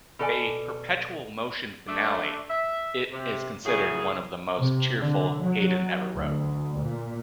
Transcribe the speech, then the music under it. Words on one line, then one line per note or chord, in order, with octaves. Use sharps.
A "perpetual-motion finale," it is considered one of the most cheerful Haydn ever wrote.
B2 A4 D5 G#5
A3 D4
E5
C3
A2 C#3 F#3 G#4
C3
D3
F#3
D2
A#2